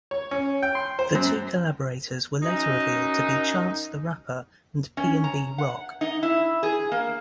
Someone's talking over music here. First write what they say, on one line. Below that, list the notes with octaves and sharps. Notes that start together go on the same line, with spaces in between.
The two collaborators were later revealed to be Chance the Rapper and PnB Rock.
C#5
C#4
G5
C6
C5
F#2
F#2 D#4
C#4
A#5
F#5
D#4
E4
G#4
A#3